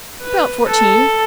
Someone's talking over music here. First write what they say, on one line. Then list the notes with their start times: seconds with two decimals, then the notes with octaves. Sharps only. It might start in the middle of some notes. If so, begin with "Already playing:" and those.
"About fourteen."
0.20 B4
0.68 A4